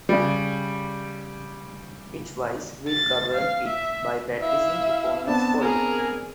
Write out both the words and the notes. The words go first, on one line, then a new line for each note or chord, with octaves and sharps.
Its vice will govern it, by practising upon its folly.
C#3 G3
A6
F5
E5
E4 E5 F5
B3 C4 D4 A5
G#4 A#4 A#5